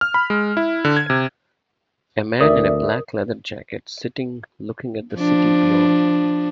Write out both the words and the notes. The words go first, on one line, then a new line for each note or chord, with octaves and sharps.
A man in a black leather jacket sitting looking at the city beyond.
F6
B5
G#3
E4
D3
G#6
C3
D2 A#4 D5 E5 D#6
F3 D4